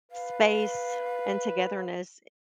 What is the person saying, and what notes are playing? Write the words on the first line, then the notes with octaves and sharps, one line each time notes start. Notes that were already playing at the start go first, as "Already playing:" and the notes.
space and togetherness,
B4 F5